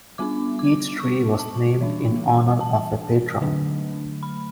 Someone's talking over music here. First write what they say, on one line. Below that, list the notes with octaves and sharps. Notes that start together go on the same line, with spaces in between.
Each tree was named in honor of a patron.
G3 B3 D4 D6
D6
C#6
A5
E3 G3 D4
A5
D3 F#3 A3 D4
B5